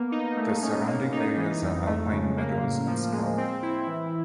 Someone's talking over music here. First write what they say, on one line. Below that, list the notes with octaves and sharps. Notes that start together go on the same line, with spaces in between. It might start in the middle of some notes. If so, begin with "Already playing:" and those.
The surrounding areas are alpine meadows and scrub.
Already playing: A#3 B3
D#4
A3
C#4
A#3
D#4
E3
F2
A3
C#3
A#3
A2
F3
G#3
C4
E4
E3